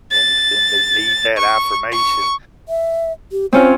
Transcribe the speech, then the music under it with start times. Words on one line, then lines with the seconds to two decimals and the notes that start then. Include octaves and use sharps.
and and they need that affirmation.
0.12 A6
1.37 C#6
1.92 C#6
2.69 E5
3.32 G4
3.53 C4 C#4 F4 C5